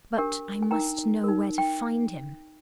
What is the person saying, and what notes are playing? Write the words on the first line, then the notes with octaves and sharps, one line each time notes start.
But I must know where to find him.
D4 G4 A#4
G#5
D#4 A#4 G5 A#5
D#4 A#4
G5